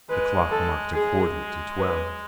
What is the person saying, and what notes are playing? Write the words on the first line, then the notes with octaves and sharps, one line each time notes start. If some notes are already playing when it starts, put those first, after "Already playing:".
The clock marked a quarter to twelve.
G#3 B4
A4
G#3 G#4
B4